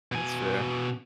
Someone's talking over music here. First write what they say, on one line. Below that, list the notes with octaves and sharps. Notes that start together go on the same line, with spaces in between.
That's fair.
B2 G#5